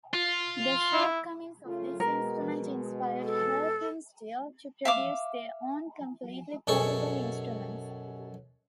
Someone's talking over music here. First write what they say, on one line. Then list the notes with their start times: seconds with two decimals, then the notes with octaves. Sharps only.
The shortcomings of this instrument inspired Helpinstill to produce their own completely portable instruments.
0.14 F4
0.93 E4
1.64 C#3 A3 F4
2.00 B2 G#3 A#4
3.23 A4
4.85 E5 F5 D6
6.67 F#2 B2 G#4 A4 C#6